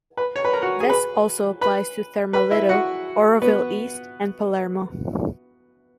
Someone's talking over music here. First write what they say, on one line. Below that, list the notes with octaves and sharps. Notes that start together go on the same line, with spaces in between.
This also applies to Thermalito, Oroville East, and Palermo.
B4 B5
C#5 C#6
B4 B5
A#4 A#5
F#4 F#5
G#4 G#5
B4 B5
B4 B5
B4 B5
E4 E5
F#4 F#5
B3 B4